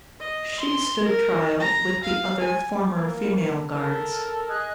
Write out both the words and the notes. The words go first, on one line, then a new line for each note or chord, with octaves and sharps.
She stood trial with the other former female guards.
D#5
C6
A#4
A#5
F5
G#5
A#3
A4 A#4
G#4 D#5 F#6